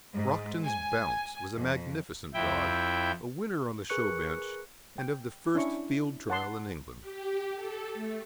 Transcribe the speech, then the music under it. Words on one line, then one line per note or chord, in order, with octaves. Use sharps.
Brockton's Bounce was a magnificent dog, a winner on the show bench, and of the first Field Trial in England.
G#2
G#5
F2
F2 E4 G5
G#4 A#4 B4 C#6 F#6 C#7
G5
C#4 D4 E4 C#6
F#5 A5 C6
G4
A4
A3